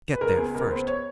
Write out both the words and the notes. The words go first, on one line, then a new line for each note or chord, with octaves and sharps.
Get there first!
B4
C#2 A#4
B3 G#4
C#2 A#4
B3 C5
C#5